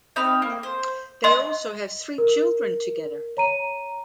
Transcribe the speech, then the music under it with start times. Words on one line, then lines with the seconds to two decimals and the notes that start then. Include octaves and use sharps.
They also have three children together.
0.16 C4 D#4 B5 F6
0.42 A#3
0.63 C5
1.24 D#5 C6
2.18 A#4
3.37 C#5 A#5 D#7